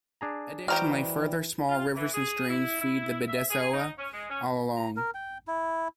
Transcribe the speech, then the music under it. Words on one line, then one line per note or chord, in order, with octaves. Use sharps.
Additionally, further small rivers and streams feed the Bidasoa all along.
D4 G#4 A#5
E3 G3 F#4 C5 D#5 G5 A#5 F6
F4
E3
G#4
E4
E4
E5
G#4
D#4
C#4
G#3
C#4
A#5
A#4
G5
E4